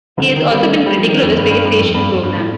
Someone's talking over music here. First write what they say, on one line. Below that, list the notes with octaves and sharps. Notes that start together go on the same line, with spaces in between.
He has also been critical of the space station program.
D3
D#3
G3
A3
A3
G3
F3
D#3
F2
G2
G2
G2
F2
G2
F2
G2
A2